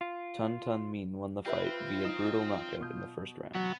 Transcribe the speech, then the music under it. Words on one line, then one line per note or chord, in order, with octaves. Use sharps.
Tun Tun Min won the fight via brutal knockout in the first round.
F4
C4 F4 G4 B4 E5
D#4 E7
B2 D#6 G6
F#3 B3